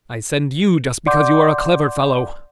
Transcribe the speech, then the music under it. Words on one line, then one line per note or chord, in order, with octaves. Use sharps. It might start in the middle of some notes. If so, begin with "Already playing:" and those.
I send you just because you are a clever fellow.
D5 F#5 C6 D6 G6